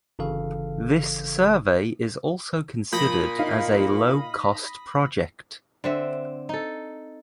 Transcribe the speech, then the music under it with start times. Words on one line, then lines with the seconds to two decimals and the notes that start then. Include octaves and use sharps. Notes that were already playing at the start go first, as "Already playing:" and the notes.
This survey is also considered as a low-cost project.
0.19 G1 C#3 E3 A4 F5
2.93 A#2 F3 B5 D#6 G6 A#6
3.39 D#4 F5
5.84 D3 C4 E5
6.49 D#4 A4